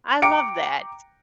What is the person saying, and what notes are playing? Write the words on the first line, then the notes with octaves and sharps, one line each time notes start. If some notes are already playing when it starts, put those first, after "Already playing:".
I love that.
G5 A#5 D6 C#7 D7